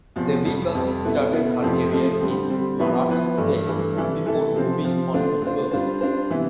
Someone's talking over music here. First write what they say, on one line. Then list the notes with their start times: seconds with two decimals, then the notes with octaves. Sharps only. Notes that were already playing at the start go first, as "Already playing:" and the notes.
Devika started her career in Marathi plays before moving on to films.
0.16 E2 C3 F3
0.45 F2 C3 G3
0.74 F2 C3 G3
1.04 B2 B3 E4 A4
1.33 B2 B3 E4 A4
1.62 F2 C3 F3 A3 C4
1.91 F2 C3 F3 A3 C4
2.20 D3 G3 C4
2.49 D3 G3 C4
2.79 F3 B3 E4 B4
3.09 F3 B3 E4 B4
3.37 G2 E3 A3
3.67 G2 E3 A3
3.96 C3 E3 A3 E4 A4
4.26 C3 E3 A3 E4 A4
4.55 C3 F3 C4
4.83 C3 F3 C4
5.14 D3 A3 D4 F4 C5
5.42 D3 A3 D4 F4 C5
5.71 G3 D4 F4 C5
6.01 G3 D4 F4 C5
6.30 C3 E3 B3 E4